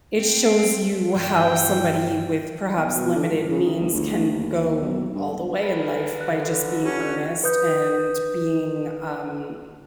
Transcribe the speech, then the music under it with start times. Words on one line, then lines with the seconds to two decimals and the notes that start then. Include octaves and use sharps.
it shows you how somebody, with perhaps limited means, can go all the way in life by just being earnest and being, um,
0.19 C4
1.16 G2 E3 G5
2.77 B1
2.95 B2
3.15 D3
3.30 G#2
3.51 C#3
3.66 D#3
3.80 G1
3.94 D2
4.32 D#2
4.81 B1
5.15 G2
5.59 A4 B4
6.21 D3 F#6
6.82 C#4 F4 G4 B4
7.44 B4 D#6 G6